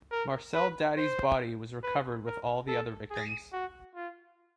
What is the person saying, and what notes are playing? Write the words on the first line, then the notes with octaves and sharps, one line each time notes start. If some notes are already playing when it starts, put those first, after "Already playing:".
Marcel Dadi's body was recovered with all the other victims.
A#4
B4
C5
B4
A#4
A4
G#4
F#4
F4